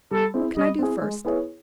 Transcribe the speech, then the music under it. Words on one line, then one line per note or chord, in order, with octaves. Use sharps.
What can I do first?
G3 A4
C4 E4 G#4
G3 D#5
C4 E4 G#4
G#3
B3 E4 G#4 C#5